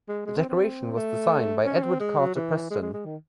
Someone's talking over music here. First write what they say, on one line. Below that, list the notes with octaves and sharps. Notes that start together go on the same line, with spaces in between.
The decoration was designed by Edward Carter Preston.
G#3
G#3
C4
C4
A3
C#4
C4
G#3
F#3
E3
G#3
G#3
G#3
D#3